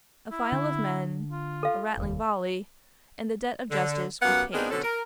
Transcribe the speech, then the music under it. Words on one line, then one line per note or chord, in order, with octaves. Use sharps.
A file of men, a rattling volley, and the debt of justice was paid.
E4
D3
F4
A4 F5
F1 D#2
D3
F#2 B3 G4 F5 F#5
B3 C4 D4 D#4 G#4 A#4
B2 D3 F#3 C4 C#4 A4
A#4